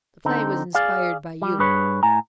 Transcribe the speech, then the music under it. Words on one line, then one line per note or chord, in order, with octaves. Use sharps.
The play was inspired by you.
D3 C4 D#4
G#4 D5 F5
G3
G2 G#4 B4 C#5
A2 G#5 A#5